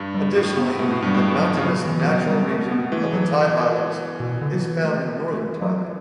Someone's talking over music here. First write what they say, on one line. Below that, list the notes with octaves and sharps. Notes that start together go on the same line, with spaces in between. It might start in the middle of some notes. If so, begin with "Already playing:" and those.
Additionally, the mountainous natural region of the Thai highlands is found in Northern Thailand.
Already playing: G2
G3
A2
B3
B2 A3
A2
G2 G3
A2
F#3
C#3
B2 F#3
E3
B2
C#3 F#3
G3
A3
B3
E3 A3
F#3
B2
D3
F#3
E3
A3
A3
F#3